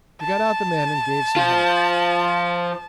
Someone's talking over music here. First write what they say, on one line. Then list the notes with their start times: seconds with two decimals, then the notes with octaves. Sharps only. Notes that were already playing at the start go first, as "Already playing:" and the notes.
We got out the men and gave some help.
0.21 A5
1.36 F3 F4